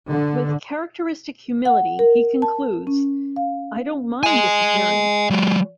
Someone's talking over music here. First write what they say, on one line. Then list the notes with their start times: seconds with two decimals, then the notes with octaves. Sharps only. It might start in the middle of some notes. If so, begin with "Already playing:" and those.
With characteristic humility, he concludes, I don't mind disappearing!
0.10 D3
1.65 F#5
1.99 A#4
2.42 A5
2.87 C#4
3.36 F5
4.23 D#5 G#5
5.30 F#3 G#3